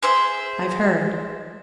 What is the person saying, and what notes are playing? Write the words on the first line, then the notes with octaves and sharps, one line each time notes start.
"I've heard."
G#4 C5 E5